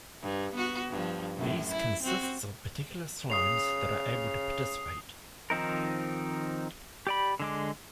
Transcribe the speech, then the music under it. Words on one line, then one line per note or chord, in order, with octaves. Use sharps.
These consists of particular Slimes that are able to participate.
G2
B3 F#4
G2 F3
F#2 A2
E4
C4 F#4
C#3 D#6 C7 F7
D#3 F3 C4 D#4 A#4
G4 D5 B5
D3 G#3 D6